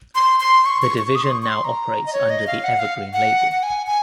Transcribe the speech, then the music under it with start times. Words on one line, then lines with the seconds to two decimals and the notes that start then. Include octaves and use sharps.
The division now operates under the Evergreen label.
0.15 C6
0.40 C6
0.66 C#6
0.82 C#6
0.98 C#6
1.15 D#6
1.23 C6
1.31 C#6
1.42 C#6
1.48 C6
1.65 A#5
2.06 D#5
2.13 C#5
2.30 D#5
2.47 F5
2.64 F#5
2.79 F5
3.13 F#5
3.52 F#5
3.63 G#5
3.87 G#5